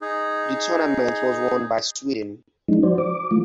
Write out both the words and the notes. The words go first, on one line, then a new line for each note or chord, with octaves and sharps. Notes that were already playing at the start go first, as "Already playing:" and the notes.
The tournament was won by Sweden.
D#4 G#4
F3 G#3 D4 D#4
F3 F#4 C5 D5
D6
E3 A3 F4